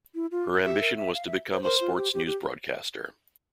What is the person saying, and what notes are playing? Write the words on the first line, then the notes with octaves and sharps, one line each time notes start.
Her ambition was to become a sports newsbroadcaster.
E4
F4
G4 E5
A#4
E5
F5
E5
C5
A#4 C5
F4
G4
G4
G4